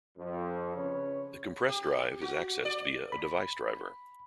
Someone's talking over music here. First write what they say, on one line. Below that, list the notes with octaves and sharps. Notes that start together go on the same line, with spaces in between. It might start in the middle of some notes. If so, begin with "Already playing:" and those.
The compressed drive is accessed via a device driver.
F2
C#3 C#4 B4 C#5
G4
F#4
D5
B5